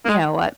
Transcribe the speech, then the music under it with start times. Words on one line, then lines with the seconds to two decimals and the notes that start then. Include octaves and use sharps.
you know, uh,
0.05 A#3
0.10 G#3